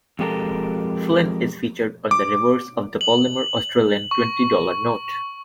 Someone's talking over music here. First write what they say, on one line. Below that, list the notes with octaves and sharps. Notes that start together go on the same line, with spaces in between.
Flynn is featured on the reverse of the polymer Australian twenty-dollar note.
F2 G#3 G4 A4 A#4
D6
F#7
C#6